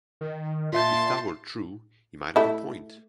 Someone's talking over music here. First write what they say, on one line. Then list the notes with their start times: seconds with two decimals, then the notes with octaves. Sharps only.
If that were true, he might have a point.
0.21 D#3
0.73 A#2 F4 E5 A5 C6 G6
2.36 A3 E4